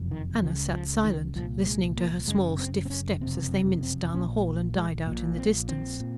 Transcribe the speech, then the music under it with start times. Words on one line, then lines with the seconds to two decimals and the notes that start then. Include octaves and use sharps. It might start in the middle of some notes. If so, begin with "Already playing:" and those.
Anna sat silent, listening to her small stiff steps as they minced down the hall and died out in the distance.
Already playing: F#1 F2 C3
0.11 D#3
0.42 C#2 C#3 F3
0.73 F3
1.04 D#3
1.35 C2 A#2 F3
1.66 G#3
1.97 A#3
2.28 F#1 F#2 C#3 G#3
2.59 C4
2.85 C4
2.90 C#4
3.21 F#1 F2 C3 C4
3.52 C4
3.83 C4
4.14 A#1 A#2 C#4
4.76 G#3
5.07 A#1 A#2
5.38 C4
5.69 C4
6.00 A#2